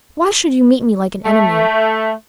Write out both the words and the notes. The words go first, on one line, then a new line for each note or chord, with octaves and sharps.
Why should you meet me like an enemy?
A3